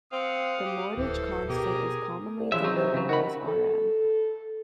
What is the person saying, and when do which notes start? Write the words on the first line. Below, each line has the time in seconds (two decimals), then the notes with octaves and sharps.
The mortgage constant is commonly denoted as Rm.
0.12 C4 F5 F#5 D#6
0.65 G4
0.97 D1 E3 A4 C5
1.49 B2 G4 G#4 A#4 D#6
2.39 C2
2.52 C#3 E3 F3 E5
2.64 F#3 C4 D#4
2.77 C3
2.94 C#3 F#3
3.09 D#3 F#4 B5
3.48 A4